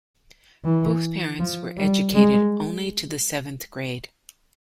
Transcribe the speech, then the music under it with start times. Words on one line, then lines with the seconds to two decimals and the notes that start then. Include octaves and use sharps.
Both parents were educated only to the seventh grade.
0.64 E3
1.40 F3
1.77 G3
2.14 G#3